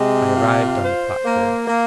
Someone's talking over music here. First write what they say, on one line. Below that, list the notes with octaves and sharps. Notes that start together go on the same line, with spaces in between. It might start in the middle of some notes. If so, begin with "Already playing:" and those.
I arrived on the platform.
Already playing: C3 G#3
F4
C5
A#3
A#3